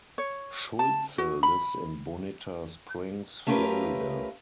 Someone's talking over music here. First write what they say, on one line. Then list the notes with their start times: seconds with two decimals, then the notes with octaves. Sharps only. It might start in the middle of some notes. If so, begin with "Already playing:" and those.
Schulze lives in Bonita Springs, Florida.
0.18 C#5
0.79 A5
1.18 F#4
1.43 B5
3.47 A3 C#4 F4 G4 A#4 B4